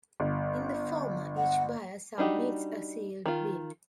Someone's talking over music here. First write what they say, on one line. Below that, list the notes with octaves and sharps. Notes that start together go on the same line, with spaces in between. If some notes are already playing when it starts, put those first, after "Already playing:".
In the former each buyer submits a sealed bid.
G1
F#5
G3 D4 D#4 F#4 G4
D#3 F4